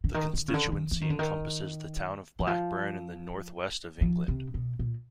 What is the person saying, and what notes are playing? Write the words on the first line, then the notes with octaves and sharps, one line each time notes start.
The constituency encompasses the town of Blackburn in the North West of England.
D3
D#3
D#3
C#3
D3
D#3
E3
D#3
D3
D#3
E3
F3
F3
C3
B2
A#2